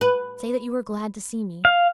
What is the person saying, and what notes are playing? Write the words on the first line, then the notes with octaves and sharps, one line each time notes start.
"Say that you are glad to see me."
B4
F5